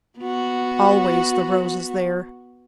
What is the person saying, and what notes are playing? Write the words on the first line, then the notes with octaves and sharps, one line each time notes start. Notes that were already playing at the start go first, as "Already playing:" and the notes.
Always the rose is there.
B3 F#4